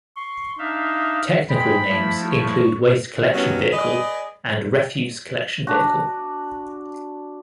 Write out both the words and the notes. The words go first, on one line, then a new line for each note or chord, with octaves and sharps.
Technical names include waste collection vehicle and refuse collection vehicle.
C6 C#6
D4 D#4 E5 F5
G#3 G5 B5
F3 A3 E4
C#6
G2 D#3 F#3 G3 B3 C#4
G#4 B4 D5 D#5
D4 F#4